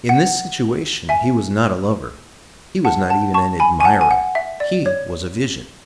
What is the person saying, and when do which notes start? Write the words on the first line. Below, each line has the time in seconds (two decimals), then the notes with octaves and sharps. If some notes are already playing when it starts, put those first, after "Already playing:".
In this situation he was not a lover, he was not even an admirer, he was a vision.
0.09 F#5
1.09 E5 G#5
2.85 F#5 A5
3.10 F#5 A5
3.34 A5 C#6
3.60 G#5 B5
3.80 G#5
3.85 F#5 A5
4.01 G#5
4.11 F#5
4.35 E5
4.60 D5
4.86 C#5